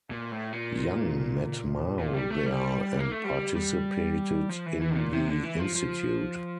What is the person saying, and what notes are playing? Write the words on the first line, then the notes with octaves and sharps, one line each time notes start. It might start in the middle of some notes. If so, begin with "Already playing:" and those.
Yang met Mao there and participated in the institute.
A#2
A2
A#2
A#2
G3
A3
G3
A#3
A3
G3
G3
F3
E3
E3
A#2
C3
D3
E3
F3
F3